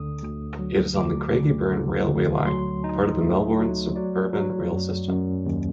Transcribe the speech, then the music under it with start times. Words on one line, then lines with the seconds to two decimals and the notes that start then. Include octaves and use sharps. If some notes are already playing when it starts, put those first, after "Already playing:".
It is on the Craigieburn railway line, part of the Melbourne suburban rail system.
Already playing: D2 D3 D#6
0.23 D2
0.59 F#3
0.96 D2 D6
1.34 D2
1.72 D3
2.09 D2
2.47 F#3 C6
2.84 D#4
3.21 A3
3.59 F#3
3.96 F#3 D5
4.33 F#3
4.71 F#2
5.08 F#2
5.46 D#2